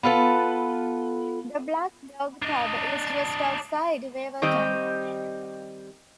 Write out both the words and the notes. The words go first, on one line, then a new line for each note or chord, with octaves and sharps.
The Black Dog pub is just outside Waverton.
B3 F4 A4 B4
D4 D#5
D#3 G3 C4 G4 D#5